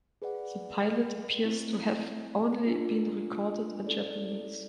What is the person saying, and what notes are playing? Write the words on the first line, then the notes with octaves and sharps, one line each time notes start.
The pilot appears to have only been recorded in Japanese.
G#4 B4 D5 F#5
A3 C4 E4
D4 F4 A#4
C#4 E4 A4 D5